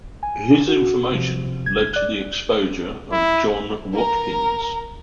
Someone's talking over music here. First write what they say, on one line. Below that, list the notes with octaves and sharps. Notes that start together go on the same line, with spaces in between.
His information led to the exposure of John Watkins.
G#5
F#4
C3 F3
G1 G#6
D5 F#6
E4
A#4 A#5